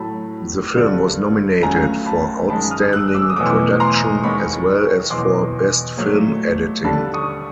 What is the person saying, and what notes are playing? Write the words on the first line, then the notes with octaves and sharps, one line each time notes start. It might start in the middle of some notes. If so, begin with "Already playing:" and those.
The film was nominated for Outstanding Production, as well as for Best Film Editing.
Already playing: A2 F#3 A3 A5 B5
G2 D3 G3
C#2 C#3 F#3 A3 G#5 A#5
A5 B5
F#2 D#3 G#3 A5 B5
D#6 F6
E6 F#6
D6 E6
D#6
E2 B2 F#3 A3 D6 E6
A#5 C6
D#2 D#3 G#3 B5 C#6
E2 B2 F#3 C6 D6
A#2 F#3 A3
D#2 D3 G3 A5 B5
C#6 D#6